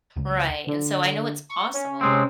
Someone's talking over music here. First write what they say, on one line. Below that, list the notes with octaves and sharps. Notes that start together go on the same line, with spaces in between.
Right, and so I know it's possible.
C#2
D3
C#6
C#4
C3 G#3 C4